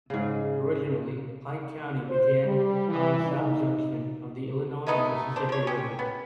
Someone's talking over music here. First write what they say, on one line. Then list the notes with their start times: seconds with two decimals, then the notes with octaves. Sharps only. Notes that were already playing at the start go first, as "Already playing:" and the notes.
Originally Pike County began on the south junction of the Illinois and Mississippi rivers.
0.10 G#2 C#3
2.10 C5
2.45 G3
2.88 E3
3.25 D#4
4.87 G#3 A3 B3 D#4
5.36 D4 C5
5.49 F3 C#5
5.67 C#4 G4
5.99 B3